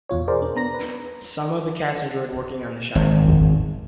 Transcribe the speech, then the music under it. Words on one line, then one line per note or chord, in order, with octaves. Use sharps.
Some of the cast enjoyed working on "The Shining".
E2 B2 F4 C#5
G#4 A#4 C5 D5
D4
B3 A#5 A#6
B4
G#1